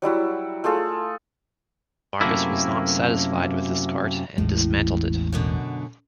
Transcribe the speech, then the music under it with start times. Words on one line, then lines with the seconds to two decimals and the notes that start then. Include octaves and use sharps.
Marcus was not satisfied with this cart and dismantled it.
0.02 F#3 G3 E4 F#4
0.64 A3 F4 G#4 A4
2.21 F#2 C3 A3 A#3 E4
4.38 A1 E2 A2 G#3
5.32 F#2 B2 D3